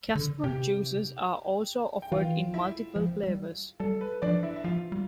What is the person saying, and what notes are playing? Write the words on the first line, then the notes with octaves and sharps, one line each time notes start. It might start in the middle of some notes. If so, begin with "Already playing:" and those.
Kasfruit juices are also offered in multiple flavors.
D3
C3 G4 G5
G5
E3 F4 F5
E4 E5
F3
G3
G3 A4
B4
F3 D4 D5
E4 E5
E5
F3 F4 F5
G3